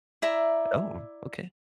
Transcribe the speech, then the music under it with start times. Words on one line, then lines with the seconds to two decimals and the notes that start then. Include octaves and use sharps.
Oh, okay.
0.22 E4 D5 E5 A#5